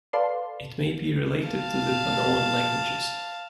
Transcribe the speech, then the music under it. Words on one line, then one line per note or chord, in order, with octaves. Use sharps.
It may be related to the Panoan languages.
A4 B4 D5 F5 A5 C6
F5 A5